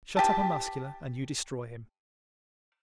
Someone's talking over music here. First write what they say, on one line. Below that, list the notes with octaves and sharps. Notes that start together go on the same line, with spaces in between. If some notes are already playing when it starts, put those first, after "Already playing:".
Shut up a Muscular and you destroy him.
G4 A5